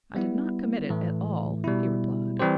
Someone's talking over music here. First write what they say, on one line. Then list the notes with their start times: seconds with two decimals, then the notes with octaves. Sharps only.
"I did not commit it at all," he replied.
0.15 G3 B3 E4
0.90 A2 E3 A3
1.64 B2 G3 B3 E4
2.39 E3 G3 C4 G4 C5